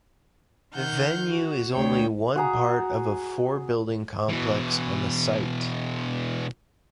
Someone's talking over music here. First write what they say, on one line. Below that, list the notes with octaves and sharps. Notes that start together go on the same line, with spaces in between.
The venue is only one part of a four-building complex on the site.
D#3 F#5 F6 G6
F#4
D2 C#5 G5
F#4 G#4 A#5
B2 E3